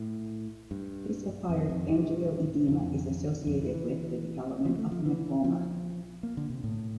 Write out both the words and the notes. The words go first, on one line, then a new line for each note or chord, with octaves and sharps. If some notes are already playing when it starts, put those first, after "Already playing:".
This acquired angioedema is associated with the development of lymphoma.
Already playing: A2
G2
F2
F2
G2
F2
F2
E3
E3
F3
A3
F3
E3
F3
A#3
D3
C3
A2